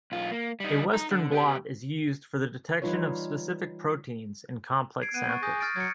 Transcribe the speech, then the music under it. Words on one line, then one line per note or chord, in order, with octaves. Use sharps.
A Western blot is used for the detection of specific proteins in complex samples.
B1 F4
A#3
G3 D#4
D#4 A#5
D3
B3 G4
E3 G3 D#4 F4 B4 C#5
G#6 C7 D7
B3 F#6 D#7
C#6 A6
G#4 D#6 G6 A#6
F6 A6 D7
F#3 G#6 C#7